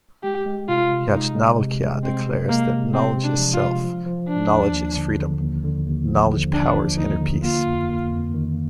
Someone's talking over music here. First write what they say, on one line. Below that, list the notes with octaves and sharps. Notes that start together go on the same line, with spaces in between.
Yajnavalkya declares that Knowledge is Self, Knowledge is freedom, Knowledge powers inner peace.
G#3 G4
G#3
C3 F4
C3
G#3 D#4
G#3
C3
G#3
G#3 C4
C3
G#3 A#3
C3
C3 C4
C3
D4
F3
F4
G#3
F3
F3
F3 D4
D#2
D#2
D3
D3
D#2
D3
D#2
F3
D3
F3 D4
F3
D#2 D#4
D3
A#3 F4
F2
A#3
F2
D#3